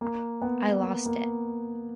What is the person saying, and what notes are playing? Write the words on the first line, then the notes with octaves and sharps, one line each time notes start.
I lost it.
A#3
B3
A#3
A#3